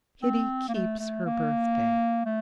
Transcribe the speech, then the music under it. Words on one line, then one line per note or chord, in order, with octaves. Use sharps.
Kitty Keeps Her Birthday.
C4
A#3
A3
A3
A#3
A3